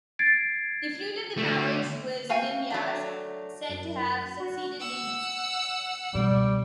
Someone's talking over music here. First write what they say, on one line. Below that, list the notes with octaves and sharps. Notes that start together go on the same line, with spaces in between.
The fruit of the marriage was Ninyas, said to have succeeded Ninus.
G#6 A6 C7 D7
D3 A3
A3 F#4 F5 G5 G#5
F#3 A3 D4
F#2
F#4
F#5 E6
C#2 B2 G3